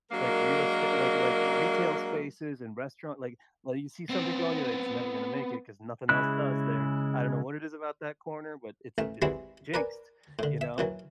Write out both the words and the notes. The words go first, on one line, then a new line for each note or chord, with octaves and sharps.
Like, real estate like like, retail spaces and restaurant. Like like, you see something going, you're like, "It's never gonna make it 'cause nothing else does there. I don't know what it is about that corner, but it's it's jinxed," you know?
F#3 G#3 A#3 D4 A#4
B3 C4
C#3 G#3 E4 B5 F#6
A1 A3
E3 G3 G#3 C4 E4 F#4
A#4 B4 D5 G#5
A2 D3
E5
A#2 E3 F#3